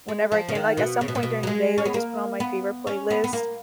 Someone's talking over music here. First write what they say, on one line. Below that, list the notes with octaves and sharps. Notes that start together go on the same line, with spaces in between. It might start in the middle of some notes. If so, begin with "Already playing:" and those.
whenever I can, like, at some point during the day, like, just put on my favorite playlist,
G#3
F3
C#3
D#3
B2
C#3
B2
A#2
B2
F#3
G#3
C#4
B3
A#3
B3
C#4
B3
B3
A#3